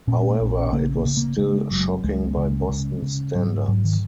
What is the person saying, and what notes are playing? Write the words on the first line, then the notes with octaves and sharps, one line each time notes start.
However, it was still shocking by Boston standards.
A#2 C#4
A#3
A#1
C#4
C#3 A#3
A#3
C#3
A#3
C#3 G#3
F#1 F#3
C#2 G#3
C#3
C#3
C#3
G#2 F#3
F#3
G#2 F#3
D#3